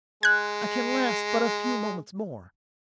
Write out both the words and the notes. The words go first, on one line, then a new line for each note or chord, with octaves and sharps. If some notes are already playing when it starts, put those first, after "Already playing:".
I can last but a few moments more.
G#3 F#6 G#6